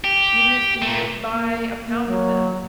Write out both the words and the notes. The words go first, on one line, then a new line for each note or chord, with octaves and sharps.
even if you buy a pound of them.
G4
A#2 A3
A#3
A#3
F#3